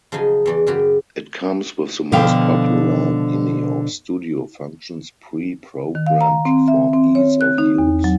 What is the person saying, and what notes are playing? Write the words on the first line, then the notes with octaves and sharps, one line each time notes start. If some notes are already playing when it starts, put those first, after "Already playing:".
It comes with the most popular Mimio studio functions pre-programmed for ease of use.
C#3 F3 F#3 D#4 G#5
E2 E3 D5
F#2 C#3 F#4 G4
B2 D3 F3 F5 G5
D#3
F5
A#5
C4
E5
C4
C#5
F#6
D#4
E2
F#3